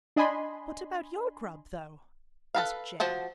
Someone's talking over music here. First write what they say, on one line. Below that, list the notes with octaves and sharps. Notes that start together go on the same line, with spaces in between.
'What about your grub, though?' asked Jane.
D4 D#5 G#5 B5 C6
A4 B4 F5
F3 F#4 C5 A5